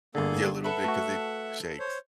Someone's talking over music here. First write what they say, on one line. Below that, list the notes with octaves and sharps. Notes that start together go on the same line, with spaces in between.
Yeah, a little bit, 'cause it shakes.
G1 D3 A#3 G#4 A4
A4 B4 E5 F#5
A3 F#4
C5 C#5